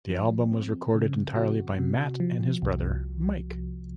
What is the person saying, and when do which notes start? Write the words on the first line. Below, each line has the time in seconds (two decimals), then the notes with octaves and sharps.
The album was recorded entirely by Matt and his brother, Mike.
0.10 F3
0.52 C4
0.95 C#3
1.36 F#4
1.79 C3
2.20 F3
2.62 C2